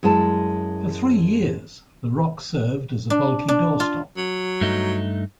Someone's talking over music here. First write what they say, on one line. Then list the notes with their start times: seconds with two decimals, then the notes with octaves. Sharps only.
For three years, the rock served as a bulky doorstop.
0.03 F#2 G#3 E4 A5
3.10 D4
3.48 D4
3.80 F4
4.17 F#3
4.61 G2 A3 D#4